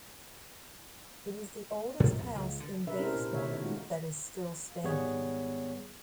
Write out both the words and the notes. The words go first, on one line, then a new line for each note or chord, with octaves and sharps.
It is the oldest house in Bayswater that is still standing.
G#2 C3 F3 G#3
C2 F2 A#2
C#2
D3
C3 D4 A#4 B4 E5
C#4 D4 E4 G4 A#4 C5
A#2
B2 A3 C#5 E5
D#3
G#3 A3 D#4 F4 F#4
G#1 G3 B3 G#4 C#5